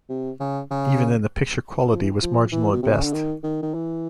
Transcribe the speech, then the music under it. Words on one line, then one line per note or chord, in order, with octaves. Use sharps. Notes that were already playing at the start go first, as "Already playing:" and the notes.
Even then, the picture quality was marginal at best.
C3
C#3
C#3
F3
E3
F3
E3
B2
C3
C#3
D3
D#3
D#3
D#3
E3